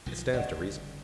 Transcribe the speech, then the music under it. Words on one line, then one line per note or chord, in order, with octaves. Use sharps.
It stands to reason.
B1 D#3 F3
G1 C#3 D5 D#5 F#5